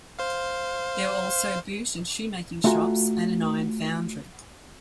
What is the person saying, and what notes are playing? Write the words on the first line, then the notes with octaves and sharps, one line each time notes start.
There were also boot and shoemaking shops and an iron foundry.
C5 F5
A3 F4 F#4 G#5 A#5